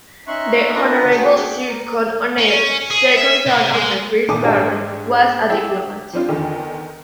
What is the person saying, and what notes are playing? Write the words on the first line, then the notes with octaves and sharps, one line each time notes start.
The Honourable Sir Con O'Neill, second son of the first Baron, was a diplomat.
C#4 D#4 E5 C6 C#6 F#6
D4 F4 A#4 B4 D#5
F#4 G#4 F#5 G5
A#4
C#4
G#4
E5
C3
G#3
G#1 A#2 E3 A5 D6 D#6
G#2 A3 D4 G4 G#4 D#5
E4 G#4 E5 G5
G4
F3 C4 D4 F4
E2 D3 D#3